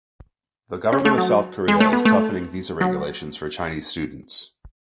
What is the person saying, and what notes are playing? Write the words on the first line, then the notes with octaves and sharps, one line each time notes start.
The Government of South Korea is toughening visa regulations for Chinese students.
C#4
A3
F#3
G#3
A3
B3
A3
F#3